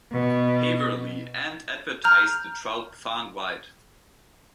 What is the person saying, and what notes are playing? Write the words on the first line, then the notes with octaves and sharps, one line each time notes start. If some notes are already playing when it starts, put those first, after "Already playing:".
Haverly and advertised the troupe far and wide.
B2
A#5 F6 G6